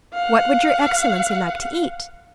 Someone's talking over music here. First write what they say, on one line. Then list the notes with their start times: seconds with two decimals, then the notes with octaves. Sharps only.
"What would your excellency like to eat?"
0.14 F5 F#5